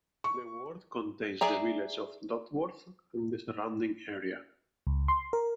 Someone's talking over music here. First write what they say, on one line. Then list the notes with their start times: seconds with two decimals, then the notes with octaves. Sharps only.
The ward contains the village of Dodworth and the surrounding area.
0.24 C#6
1.41 G#4 D5 E5 A#5
4.87 C#2
5.08 C6
5.33 A#4